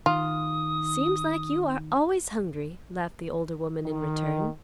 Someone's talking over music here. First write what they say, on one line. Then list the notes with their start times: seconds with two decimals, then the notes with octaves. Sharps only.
"Seems like you are always hungry," laughed the older woman, in return.
0.06 D#3 F4 D#6
3.86 D#3